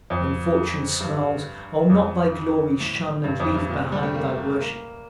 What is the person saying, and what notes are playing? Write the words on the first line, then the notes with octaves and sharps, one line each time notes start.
When fortune smiles I'll not thy glory shun and leave behind Thy worship!
F2
G2
F2
A2
G2
F2
G2
A#2
C3
G3
A3
A#3
A#3